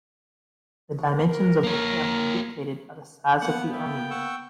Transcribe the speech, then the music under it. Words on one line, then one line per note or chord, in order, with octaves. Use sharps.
The dimensions of the camp are dictated by the size of the army unit.
A#4
A#3 C#5
A#3 B3 F#5
A#3 E5 G5
F#5 C#6 E6